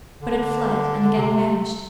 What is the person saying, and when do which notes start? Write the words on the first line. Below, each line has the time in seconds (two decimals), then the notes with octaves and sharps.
But it fled, and again vanished.
0.22 D3
1.16 C3